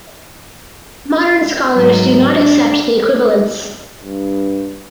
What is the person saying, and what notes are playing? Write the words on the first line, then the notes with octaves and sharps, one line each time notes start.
Modern scholars do not accept the equivalence.
G#2 F#3
D4
G2